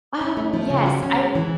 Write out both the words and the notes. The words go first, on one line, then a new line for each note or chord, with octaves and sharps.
Oh, yes, I
C#4
A3
F3
C#3
F#4
C#4
G#3
E3